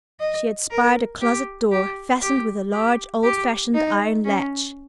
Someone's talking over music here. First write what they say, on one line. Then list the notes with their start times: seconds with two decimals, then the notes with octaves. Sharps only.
She had spied a closet door, fastened with a large old-fashioned iron latch.
0.20 D#5
0.70 A#4
1.21 G4
1.71 G4
2.22 G4
2.72 G4
3.23 G4
3.74 D#4
4.25 C#4